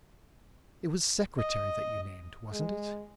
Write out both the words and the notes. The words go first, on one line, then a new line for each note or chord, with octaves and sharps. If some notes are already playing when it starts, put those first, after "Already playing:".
'It was Secretary that you named; wasn't it?'
D#5
G#3